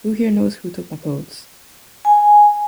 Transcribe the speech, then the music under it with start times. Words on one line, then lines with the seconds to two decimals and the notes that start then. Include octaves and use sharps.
Who Here Knows Who Took My Clothes?
2.05 G#5